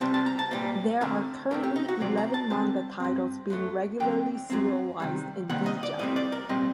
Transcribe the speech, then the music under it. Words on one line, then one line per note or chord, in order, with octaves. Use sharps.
There are currently eleven manga titles being regularly serialized in "V Jump".
C3 G3 C4 A5
A5
A#5
A5
A#2 G3 A#3 C5
D3 A3 C4 A#4
A2 A3 C4 A#4
G4
D#4
F#4
C3 F#3 A3 C4 D5
A#5
A5
D3 G3 C4 A5
G2 F#3 C4
F#2 F#3 A3
D3 F#3 C4 G5
F#2 F#3 C4
C3 D#3 G3
C3 D#3 G3 A#3 F#5
D#5
D5
A2 G3 C4 D#5
D5
A#4
A#2 G3 C4 D#5